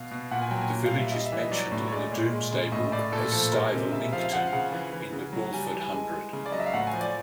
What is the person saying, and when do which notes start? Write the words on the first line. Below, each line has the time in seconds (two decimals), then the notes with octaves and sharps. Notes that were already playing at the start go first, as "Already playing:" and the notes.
The village is mentioned in the "Domesday Book" as "Stivelincton" in the "Bulford hundred".
Already playing: B2 F5
0.11 B2
0.31 A#2 F#5
0.42 G#5
0.51 F#3 G5
0.61 G#5
0.72 A#2
0.85 F5
0.91 G3
0.98 E5
1.11 G3 D#5
1.26 E5
1.32 E3
1.39 D#5
1.51 F#3 D5
1.72 A2
1.88 C#5
1.92 G#3 D5
2.12 A#2
2.32 G#3
2.52 C#3
2.72 A2 D#5
2.92 A2 D5
3.12 A#2 A4
3.32 F3 A4
3.52 G#3 A#4
3.73 C3
3.92 C#3 E5
4.12 F3 F5
4.24 F5
4.33 F3 F#5
4.47 F5
4.53 C#3 F#5
4.73 E3
4.93 E3
5.13 C#3
5.33 F#3
5.53 G3 G#5
5.67 A5
5.73 E3
5.80 G#5
5.93 G#3
6.13 G#3
6.33 C#3
6.46 D5
6.52 F#3 D#5
6.60 E5
6.66 F5
6.74 A2 F#5
6.87 G#5
6.93 F3
7.01 D5